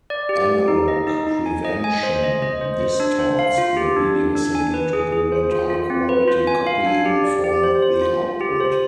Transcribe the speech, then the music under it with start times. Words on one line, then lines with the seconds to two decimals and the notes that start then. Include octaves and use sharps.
Analog prevention distorts the video signal to prevent high quality copying from the output.
0.10 D5
0.29 G4
0.49 G4
0.68 D#4
0.88 D#5
1.07 D#4
1.27 D#4
1.46 G#5
1.65 D#5
1.84 G#5
2.03 C5
2.23 D#5
2.42 D#5
2.61 C5
2.80 C5
3.00 D4
3.19 C5
3.39 F5
3.58 F4
3.77 G4
3.96 D4
4.15 D4
4.35 D4
4.55 G#5
4.74 B4
4.93 G#4
5.12 G#4
5.32 C5
5.52 F4
5.70 F4
5.90 C4
6.09 B4
6.28 F4
6.47 G#5
6.67 F5
6.86 D4
7.05 G4
7.24 D5
7.44 G4
7.64 C5
7.82 C5
8.01 F4
8.22 F4
8.41 G4
8.60 C5